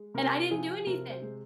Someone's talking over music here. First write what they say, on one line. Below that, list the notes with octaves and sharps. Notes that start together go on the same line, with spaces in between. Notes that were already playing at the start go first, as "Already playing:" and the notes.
And I didn't do anything.
Already playing: G#3
C3 A#4
F3 G#4
C3 A#4
C5
G#3